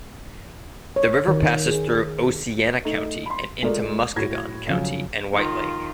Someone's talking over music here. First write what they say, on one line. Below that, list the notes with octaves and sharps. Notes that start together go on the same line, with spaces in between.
The river passes through Oceana County and into Muskegon County and White Lake.
C#5
D#3
G#4
A3 D#4
B5 C6
G#3 A3 F4 A#4 D5
A2 F#4 G#6 A#6
F2 C#3 F#3
D#3 F4